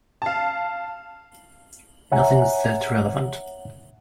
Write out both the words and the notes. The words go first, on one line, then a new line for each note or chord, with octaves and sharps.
Nothing's that relevant.
F5 A5
C#5 E5 F#5 G#5 A#5